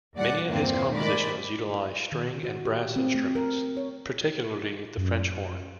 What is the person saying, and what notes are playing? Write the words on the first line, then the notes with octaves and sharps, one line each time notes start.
Many of his compositions utilize string and brass instruments, particularly the French horn.
D#2 G3 D5 F#5
E2 G2 A#2 A#3 C4
D#3 G#3 A#4 D5 B5
D#3
F#4
G4
C4
A3
A#4
C#5
F#2